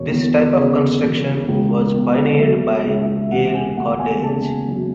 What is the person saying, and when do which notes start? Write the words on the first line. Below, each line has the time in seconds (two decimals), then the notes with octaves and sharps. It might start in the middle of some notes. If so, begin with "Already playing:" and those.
This type of construction was pioneered by Yale Cordage.
Already playing: E1 C#5
0.09 E2
0.57 C#3
1.02 E1
1.48 C#2
1.94 B2
2.39 F#3 E5
2.71 C#5
2.85 C#2
3.01 E5
3.22 E5
3.32 E1 F#5
3.55 G#5
3.77 D2 F#5
4.00 G#5
4.22 C#3 A5
4.68 F#3